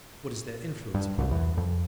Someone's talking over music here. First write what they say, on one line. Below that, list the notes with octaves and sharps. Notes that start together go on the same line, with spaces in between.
What is their influence upon men?
G2
C2
E2
F2